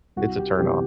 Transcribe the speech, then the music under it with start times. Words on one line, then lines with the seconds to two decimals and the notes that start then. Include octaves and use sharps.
it's a turnoff.
0.16 C2 F#4
0.38 G4
0.58 C3 E3 G3 B3 G4